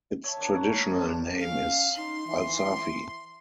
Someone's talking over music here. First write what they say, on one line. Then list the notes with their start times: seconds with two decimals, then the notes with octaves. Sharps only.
Its traditional name is Alsafi.
0.24 C#5 E5 A5
0.37 D#3 D4
0.54 C#5 F#5
0.67 F#3
0.86 B3 C4 D5 A5
1.01 D4 G4 A#4
1.40 C#4 F5
1.96 D#4 C6
2.27 E3